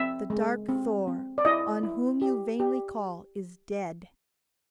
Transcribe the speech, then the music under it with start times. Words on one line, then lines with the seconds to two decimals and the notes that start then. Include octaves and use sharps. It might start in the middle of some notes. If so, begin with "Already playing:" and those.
The dark Thor, on whom you vainly call, is dead.
Already playing: C4 E5
0.30 G#3
0.69 C4
1.08 C4
1.38 D5
1.45 E4 D#5
1.83 E4
2.22 G4
2.60 G4